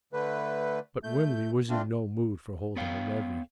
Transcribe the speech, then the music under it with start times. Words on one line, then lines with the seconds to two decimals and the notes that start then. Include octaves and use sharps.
But Wimley was in no mood for holding a levee.
0.13 D3 A3 B4
1.04 A3 G6
1.69 A3 C4 D4 F4
2.76 B3 C#5 F5 G5